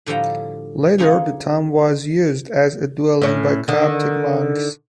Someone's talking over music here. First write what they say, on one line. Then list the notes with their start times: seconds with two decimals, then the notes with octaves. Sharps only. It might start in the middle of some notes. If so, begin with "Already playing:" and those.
Later, the tomb was used as a dwelling by Coptic monks.
0.06 A2 D3 F3 G3 G5 A#5
0.98 D3 C#4 D#4 F4 G#4
3.22 A2 C#4
3.68 D3 D#3